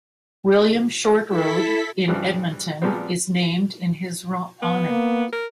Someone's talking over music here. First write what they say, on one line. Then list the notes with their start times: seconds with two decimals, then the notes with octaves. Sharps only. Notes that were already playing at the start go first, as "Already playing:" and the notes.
William Short Road in Edmonton is named in his honour.
1.29 E4 A4 B6
2.08 G2 C#3 E3 F3 G3
2.82 A#2 F3 G3 G#3 B3 C4
4.62 B3
4.85 A#3
5.33 A#4